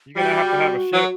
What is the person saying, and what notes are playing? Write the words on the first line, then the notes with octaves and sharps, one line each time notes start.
You're gonna have to have a ship
G3 F#4
F#3